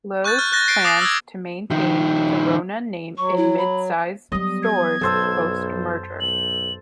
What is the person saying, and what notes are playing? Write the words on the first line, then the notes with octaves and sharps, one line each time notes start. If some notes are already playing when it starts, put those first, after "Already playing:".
Lowe's plans to maintain the Rona name in mid-sized stores post-merger.
C#6 F#6 G6 A6
F6
F#6 G6 A6 A#6
A6 C7 D7
D6 D#6 A6 A#6 C7
E6 G#6
D#3 F3
F#3 C#6
E4
B5
F#3 G3 B3 D#5
G#6
B1 F#2 A4 C5 E6
B1 F#7